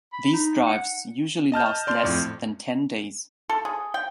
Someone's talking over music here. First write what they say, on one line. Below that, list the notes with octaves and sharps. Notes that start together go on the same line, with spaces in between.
These drives usually last less than ten days.
B5
D#4
F#5
D#5 A5 F6 G6
D5 C6 G6
F2 A2
A4
G#4
G5